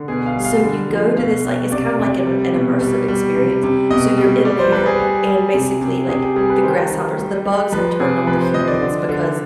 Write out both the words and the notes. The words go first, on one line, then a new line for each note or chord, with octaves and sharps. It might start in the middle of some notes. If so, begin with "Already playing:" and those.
So you go to this, like It's kinda like an an immersive experience. So you're in there, and basically, like, the grasshoppers the bugs have turned on the humans, because
Already playing: D3
B2 G#4
F5
G3
F5
D3
F3
B2 F5
B2
C3 D5
C3
G3
B2
G3
G3
C3
C3
B2 D#5
G3
G3 D5
C5
G3 B4
G#4
G3
G3
C3
C3
C3 G#4
G4
G3 G#4
B4
D#3 C5
D#3
G3
G3
F3 B4
C3 G#4
F3 B4
C5
F3 D#5
D5
D3
D3